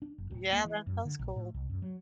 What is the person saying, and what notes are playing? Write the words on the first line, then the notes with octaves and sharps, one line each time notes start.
Yeah, that sounds cool.
D4
F#1
D1
A#3
E3
F#2
D3
A#1
A2
C2
F#2
F#3